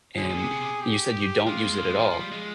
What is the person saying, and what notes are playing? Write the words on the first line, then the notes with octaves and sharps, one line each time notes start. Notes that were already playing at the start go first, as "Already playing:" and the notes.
And you said you don't use it at all.
D3 G#4
A#2
C3
C3
C3
G4
G#3 F4
A#3
G#3
A#3 F4
G#3
F3
F3
G3
G#3